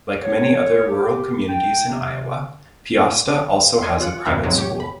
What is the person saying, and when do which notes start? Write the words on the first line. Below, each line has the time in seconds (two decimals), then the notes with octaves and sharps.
Like many other rural communities in Iowa, Peosta also has a private school.
0.22 C#5
0.86 G4
1.49 G5
1.87 C3
3.81 C#5 D#5 G#5 C6
4.00 F4 F#6 C#7
4.25 F#2 B2 A#3 E5 A#5 B5
4.43 B1 F2 A2 C3 F#3 G#3
4.58 G4 C#5
4.80 B5